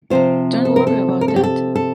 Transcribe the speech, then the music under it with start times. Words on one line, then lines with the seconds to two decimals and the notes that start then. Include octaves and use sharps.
Don't worry about that.
0.10 C3 F3 C4 F4 C5
0.65 A4
0.76 A#4
0.87 A4
1.21 A#4
1.28 A4
1.36 G4
1.43 A4
1.76 A4